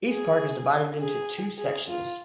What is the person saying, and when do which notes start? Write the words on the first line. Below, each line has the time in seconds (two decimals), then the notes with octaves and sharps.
EastPark is divided into two sections.
0.11 G#4
1.00 G#4
1.58 G#4
1.88 F4